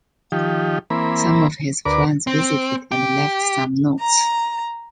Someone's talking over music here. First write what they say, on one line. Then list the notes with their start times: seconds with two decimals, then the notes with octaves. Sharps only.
Some of his friends visited, and left some notes.
0.32 D#3 F3 G4
0.90 E3 A#3 C4 B5
1.85 D2 A#4 B4 D5 D6
2.27 C4
2.92 G4
4.00 A#5